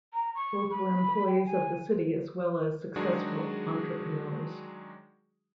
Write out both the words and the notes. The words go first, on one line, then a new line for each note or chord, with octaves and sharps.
Both were employees of the city as well as successful entrepreneurs.
A#5
C#6
B5
G5
G#5
D#3 F#3 G#3 D4 F#4 G#4